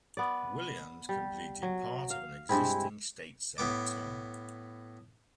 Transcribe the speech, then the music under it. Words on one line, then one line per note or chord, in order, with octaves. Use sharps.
Williams completed part of an existing State Senate term.
B3 D5
G3
F#3
F5
G2 G#3 C4 E4
A2 B3 D6